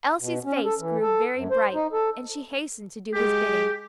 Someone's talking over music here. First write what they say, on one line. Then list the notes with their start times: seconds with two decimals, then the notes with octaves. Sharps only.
Elsie's face grew very bright, and she hastened to do his bidding.
0.20 B2
0.45 C#4
0.65 A4
0.79 E3
1.01 A4
1.35 F#2
1.51 C5
1.74 D#4
1.92 A4
3.14 G#3 G4 G#4